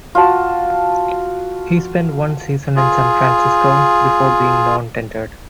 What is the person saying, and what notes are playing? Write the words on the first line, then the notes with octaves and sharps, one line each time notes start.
He spent one season in San Francisco before being non-tendered.
F4 F#4 A5
F4 G#4